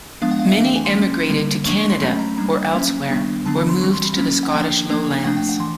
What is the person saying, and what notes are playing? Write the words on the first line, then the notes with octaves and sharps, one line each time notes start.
Many emigrated to Canada or elsewhere, or moved to the Scottish Lowlands.
F3 G#3 B3 D4 F5
F#5
F5
E5
E3 A3 D4 F5
G5
G#5
C6
F#3 A#3 C#4
D3 G3 A#3
F3 A#3 D4 C#6
C#6
C6
F#3 A3 C#4 B5
A#5
G3 A#3 D4 A#5
F#3 A#3 C#4
D#3 G3 B3 D4
D3 F#3 B3 D4 A5
B5
C6
E3 G3 C4 C#6
C6
B5
F#3 A#3 C#4
F#5
F3 A#3 D4 G5
F3 A#3 D4
F3 A3 D4 F#5
G5
F#5
E3 C6